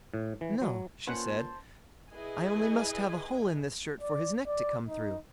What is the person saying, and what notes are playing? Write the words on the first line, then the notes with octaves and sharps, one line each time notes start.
'No', she said, 'I only must have a hole in this shirt for his neck to come through.'
A2
E3
F#3
A#2 C#4 B4 C5 F#5 A5 C6
E4 G#4 B4 D#5 G#5
D5
D5
D#4